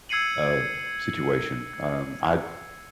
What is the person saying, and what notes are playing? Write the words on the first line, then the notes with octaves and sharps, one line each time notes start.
uh, situation. Um, I
E6 G#6 C7 C#7 D#7 F#7